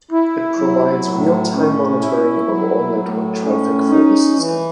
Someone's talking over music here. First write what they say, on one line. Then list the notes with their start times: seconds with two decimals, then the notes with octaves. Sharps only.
It provides real-time monitoring of all network traffic for the system.
0.11 E4
0.58 F#3
1.06 A2
1.54 C#4
2.00 E4
2.48 F#3
2.95 A2
3.42 C#4
3.89 D#4
4.37 E3